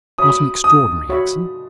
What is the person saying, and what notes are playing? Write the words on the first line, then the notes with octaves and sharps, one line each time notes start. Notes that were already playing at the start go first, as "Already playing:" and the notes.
Not an extraordinary accident.
F#4 C#5 E5 B5 D#6
D#6
F#4 C#5 E5 B5